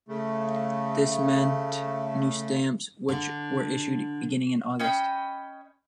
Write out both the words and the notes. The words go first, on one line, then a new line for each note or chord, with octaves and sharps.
This meant new stamps, which were issued beginning in August.
C#3 A3
D3
C#4 D#5 G5 B5